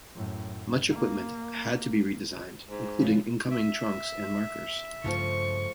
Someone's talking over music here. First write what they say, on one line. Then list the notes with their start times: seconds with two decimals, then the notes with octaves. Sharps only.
Much equipment had to be redesigned, including incoming trunks and markers.
0.15 F#2 A2
0.90 A#3
2.69 G#2
3.00 C#3 E3 F3
3.51 E5
5.04 G2 C#3 F3 A3 F4 C#6